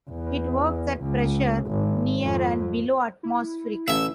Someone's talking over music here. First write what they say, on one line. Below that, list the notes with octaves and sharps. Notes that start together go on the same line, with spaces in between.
It works at pressure near and below atmospheric.
E2
C#2
G#1
F2
E4
A1 E5